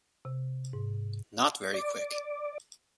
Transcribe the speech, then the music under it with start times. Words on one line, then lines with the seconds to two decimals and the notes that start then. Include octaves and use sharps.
Not very quick.
0.25 C3
0.73 G#2
1.74 D5